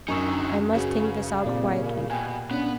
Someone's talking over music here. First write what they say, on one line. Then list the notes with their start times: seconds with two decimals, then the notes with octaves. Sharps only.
I must think this out quietly.'
0.08 F#2 D3 D#4 G#5 C#6 E6
0.75 C#3 F#4 G#4 B4
1.46 A#2 C4 G4 A#4 D5
2.10 B2 G5 G#5
2.51 B3 C#4 D4